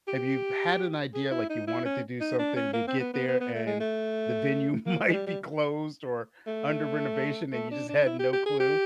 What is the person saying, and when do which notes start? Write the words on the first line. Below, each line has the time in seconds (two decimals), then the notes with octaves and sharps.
have you had an idea, like, you wanted to do something, you get there and the venue might be closed or under renovation and you just had no clue?
0.08 G4
1.14 G#4
1.31 E4
1.50 D#4
1.67 E4
1.85 C#4
2.21 D#4
2.39 D4
2.56 C#4
2.73 A#3
2.88 C4
3.00 B3
3.14 B3
3.28 B3
3.40 B3
3.54 A3
3.66 G#3
3.80 A3
4.86 A#3
5.09 G#3
5.13 G3
5.27 G3
6.47 A3
7.52 A3
7.71 D4
7.89 D4
8.06 E4
8.19 G4
8.33 G4
8.46 G#4
8.60 G4